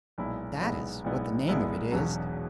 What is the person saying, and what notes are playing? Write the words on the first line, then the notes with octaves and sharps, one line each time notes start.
That is what the name of it is.
B1 A#2 G#3 B3 E4
B1 A#2 G#3 B3 E4
B1 A#2 G#3 B3 E4
B1 A#2 G#3 B3 E4
E1 E2 B2 F#3 C#4